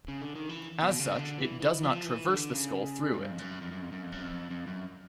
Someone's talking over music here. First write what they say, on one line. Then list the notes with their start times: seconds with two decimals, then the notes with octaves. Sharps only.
As such it does not traverse the skull through it.
0.08 C#3
0.22 D3
0.35 D#3
0.49 E3
0.82 B2
0.99 C#3
1.16 D3
1.38 E3
1.60 E3
1.83 F3
2.05 E3
2.28 D3
2.49 C#3
3.12 G#2
3.17 G2
3.30 F2
3.39 F#2
3.61 F2
3.71 F#2
3.82 F2
3.92 F#2
4.03 F2
4.12 F#2
4.23 F2
4.50 F2
4.67 F#2